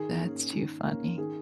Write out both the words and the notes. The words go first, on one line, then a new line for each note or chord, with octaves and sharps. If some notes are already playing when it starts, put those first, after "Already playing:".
That's too funny.
Already playing: D#3 G#4
A#3 C#4
D#3
A#3 C#4
D#3 G#4